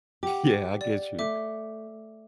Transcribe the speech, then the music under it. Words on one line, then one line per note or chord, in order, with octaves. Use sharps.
yeah. I get you.
G4 F#5 D6
D5
A3 E5 D6